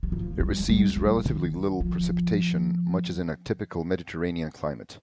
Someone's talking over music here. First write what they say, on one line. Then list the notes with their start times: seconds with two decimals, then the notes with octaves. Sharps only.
It receives relatively little precipitation, much as in a typical Mediterranean climate.
0.03 G3
0.12 F3
0.40 G3
0.69 G3
0.96 F3
1.25 D#3
1.80 F3